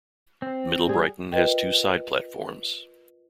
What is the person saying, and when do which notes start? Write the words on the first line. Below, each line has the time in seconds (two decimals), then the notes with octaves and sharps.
Middle Brighton has two side platforms.
0.42 C4
0.88 G3 G#4
1.32 F4 A#4 B4 D#5 G5